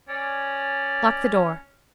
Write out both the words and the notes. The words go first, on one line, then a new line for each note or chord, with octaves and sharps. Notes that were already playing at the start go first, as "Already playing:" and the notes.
Lock the door.
C#4 D5